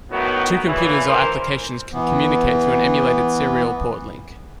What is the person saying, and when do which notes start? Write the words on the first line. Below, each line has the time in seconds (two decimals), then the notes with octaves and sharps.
Two computers or applications can communicate through an emulated serial port link.
0.11 A2 D#3 F#3 B3 F#4
0.66 A#2 C#3 E3
1.05 D2 E3 A#4 C5
1.93 E3 B3